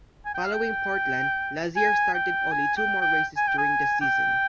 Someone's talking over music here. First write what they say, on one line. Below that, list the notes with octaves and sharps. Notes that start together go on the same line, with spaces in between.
Following Portland, Lazier started only two more races during the season.
G#5
G5
F5
G5
G#5
G5
G#5
G5
G5
G#5
G5
G#5
G5